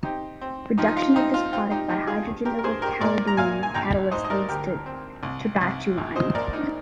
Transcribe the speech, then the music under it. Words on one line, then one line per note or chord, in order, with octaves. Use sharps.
Reduction of this product by hydrogen over a palladium catalyst leads to terbutaline.
C4 D#4 G4
C4
F3 D#4 G4
D#4
F4
C4 D#4
F4
C4 F4
D#4 G4
F3 D#4 G4
F4 G#4
G2
G4 A#4
A#4
G2 G#4 C5
G4 A#4
A#2 A#4 D5
A#5
A#2 F5 G#5
G#5
A#1 G5 A#5
G#2 C5 D#5
D#5
A#4 D5
D2 G4 A#4
C4
C2
C2
A#1
C5 D#5
A#2 A#4 D5
D#4